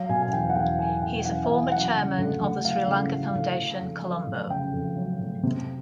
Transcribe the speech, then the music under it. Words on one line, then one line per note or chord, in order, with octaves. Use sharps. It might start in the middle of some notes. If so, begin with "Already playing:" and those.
He is a former Chairman of the Sri Lanka Foundation, Colombo.
Already playing: F#3 F5
B2 G#5
G#5
E2 G5
F#5
E2 G5
F#3 G#5
B2 G5
G5
E2 F#5
E5
E2 F5
F#3 F#5
C#3
D2
D2
F#3 F5
C#3
D2
D2
C#3
F2
F#3
F1
C#3 G5
F2
F#3
F1
C3